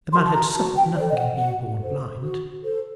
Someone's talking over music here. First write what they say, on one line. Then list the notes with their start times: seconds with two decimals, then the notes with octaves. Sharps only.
The man had suffered nothing in being born blind.
0.12 A#4 C6
0.17 F#4
0.24 A5
0.33 A#5
0.54 F#4 A5
0.76 G5
0.96 A4 C5 D5
1.09 D#5
1.17 F#5
1.37 F#4 F#5
1.80 A4 C5
2.21 F#4
2.63 A4 C5